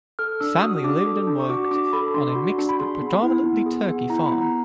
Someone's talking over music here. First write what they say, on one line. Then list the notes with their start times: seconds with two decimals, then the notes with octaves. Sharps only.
His family lived and worked on a mixed but predominately turkey farm.
0.19 A4 F6
0.41 D4 E6
0.63 F#4 D#6
0.84 D4 D6
1.06 A4
1.27 D4
1.40 C#6
1.49 F#4 D6
1.71 D4 D6
1.93 A4 B5
2.14 D4 C6
2.35 F#4
2.58 D4
2.69 B5
2.79 G#4 C6
3.01 B3
3.23 E4
3.45 B3
3.66 G#4
3.88 B3
4.09 E4 A#5
4.26 B5
4.31 B3
4.42 A#5